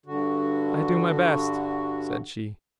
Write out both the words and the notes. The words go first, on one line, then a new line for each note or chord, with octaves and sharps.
"I do my best," said she.
G2 D3 F#4